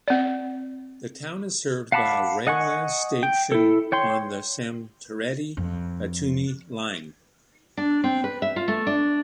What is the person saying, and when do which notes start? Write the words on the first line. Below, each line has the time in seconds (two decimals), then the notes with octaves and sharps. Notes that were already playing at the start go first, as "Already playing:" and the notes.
The town is served by a railway station on the Samtredia - Batumi line.
0.08 C4 D5
1.92 F5 F#5 A5 B5 D6
2.47 D#5 F#5 G#5 C#6
3.23 G5
3.52 E4 A4
3.92 C#5 G5 C6
5.57 F2
7.77 D4
8.04 C4
8.24 B4
8.42 E5
8.56 F4
8.68 A3
8.87 D4